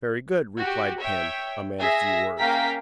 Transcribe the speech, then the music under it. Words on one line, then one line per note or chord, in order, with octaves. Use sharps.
"Very good," replied Pim, a man of few words.
F#4 G4
C#5 E5 G5
G#4 E5 A#6
A#3 C#4 F5 G5 A#5 B6